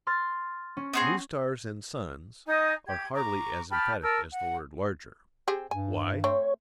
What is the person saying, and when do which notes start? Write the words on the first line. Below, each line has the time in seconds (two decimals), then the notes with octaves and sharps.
"New stars and suns" are hardly as emphatic as the word "larger." Why?
0.07 C6 F6 A6
0.77 C#4
0.93 B3 C4 G#4
2.46 D#4 D#5 G#5 D#6
2.87 G4 G#6
3.14 A#5 C#6 D6
3.69 G4 A5 B5 F6
4.02 A#4 A5 E6 F6
4.30 F#5
5.48 C4 G4 G#4
5.71 G2 G#5
6.24 A3 C4 C#5